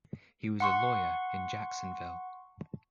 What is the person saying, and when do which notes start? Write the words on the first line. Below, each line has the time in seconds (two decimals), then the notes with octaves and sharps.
He was a lawyer in Jacksonville.
0.60 F#5 C6 C#6